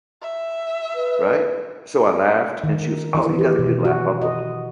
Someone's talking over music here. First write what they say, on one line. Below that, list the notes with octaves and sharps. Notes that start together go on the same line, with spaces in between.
Right, so I laughed and she was, oh, you got a good laugh, I'll book you,
E5
B4
D#3
E3
G4
B2
F#4
D#5